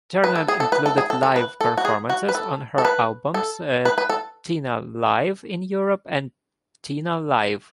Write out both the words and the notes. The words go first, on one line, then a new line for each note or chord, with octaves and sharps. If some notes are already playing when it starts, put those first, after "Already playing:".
Turner included live performances on her albums, "Tina Live in Europe" and "Tina Live".
B4
A4
G#4
A4
B4
A4
G#4
A4
A4
B4
A4
F#4
G#4
F#4
B4
A4
A4
B4
A4
B4
B4
A4